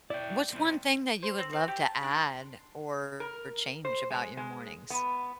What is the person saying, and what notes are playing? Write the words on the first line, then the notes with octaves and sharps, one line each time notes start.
What's one thing that you would love to add or change about your mornings?
E4 D5 G5
C4 E4
C5
C4
C4
G4
A5
D4
C6
A#4
C5
G#3
G#3
B3